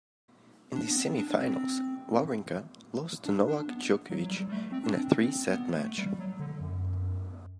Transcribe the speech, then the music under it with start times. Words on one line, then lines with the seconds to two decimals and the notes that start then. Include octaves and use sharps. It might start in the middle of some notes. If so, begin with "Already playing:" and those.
In the semifinals, Wawrinka lost to Novak Djokovic in a three set match.
0.75 D4
0.91 B3
0.96 C4
1.17 D4
1.38 C4
3.26 D4
3.47 D4
3.68 B3
4.10 F#3
4.24 F#3
4.31 G3
4.48 G3
4.52 A3
4.72 C4
4.84 D4
4.93 C4
5.21 C4
5.49 B3
5.77 A3
5.98 G3
6.19 F#3
6.40 D3
6.61 F#2